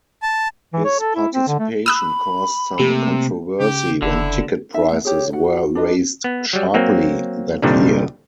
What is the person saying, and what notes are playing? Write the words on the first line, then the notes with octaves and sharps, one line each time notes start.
His participation caused some controversy when ticket prices were raised sharply that year.
A5
E3
C#5
A4
E4
C4
D3
A3
B5 D#6 E6 F#6
C3 A3 A#3 G4
C#3 G4
F1 D3 E4
D#4 E5
A3
G4 G#4 C#5
F#4 F#5
D4 B4 D#5
B3
F#3 G3
F#3 A#3 C4
C2 G2 A#2 D3 D#3 G3